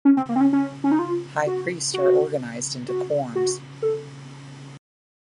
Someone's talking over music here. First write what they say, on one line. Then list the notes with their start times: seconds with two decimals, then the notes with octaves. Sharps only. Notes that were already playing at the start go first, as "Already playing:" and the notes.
High priests are organized into quorums.
0.05 C#4
0.17 C4
0.29 A#3
0.36 C4
0.41 C#4
0.53 C#4
0.84 C#4
0.92 D#4
0.99 F4
1.47 F#4
1.94 F#4
2.88 F#4
3.35 F#4
3.82 A4